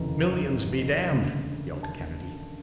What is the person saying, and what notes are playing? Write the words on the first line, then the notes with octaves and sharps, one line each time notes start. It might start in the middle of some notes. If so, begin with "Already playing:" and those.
"Millions, be damned!" yelled Kennedy.
Already playing: F1 D#2 C#3 E3 A#5
E1 D2 C#3
A5